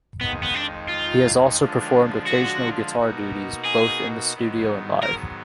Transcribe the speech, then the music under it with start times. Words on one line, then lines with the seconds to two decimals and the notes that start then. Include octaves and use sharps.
He has also performed occasional guitar duties both in the studio and live.
0.21 F2 D#3 G#3 B3 D#4
0.43 B3
0.55 D4
0.89 F4
1.58 D3 F3 G#3 D4 F4
2.27 F#4
2.96 B2 A#3 D#4 F#4
3.65 G#4
4.33 G#2 D#3 F#3 B3
5.03 A#4